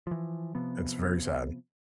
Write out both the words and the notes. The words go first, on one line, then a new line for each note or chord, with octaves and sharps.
It's very sad.
E3 F3
C3 F3 B3